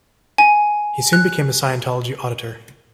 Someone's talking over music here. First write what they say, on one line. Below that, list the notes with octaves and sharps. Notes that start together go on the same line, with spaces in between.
He soon became a Scientology auditor.
G#5
F#6